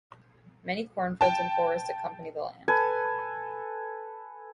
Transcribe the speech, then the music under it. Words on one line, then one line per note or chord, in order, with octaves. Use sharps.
Many cornfields and forests accompany the land.
G5 A5
A4 B4 G#5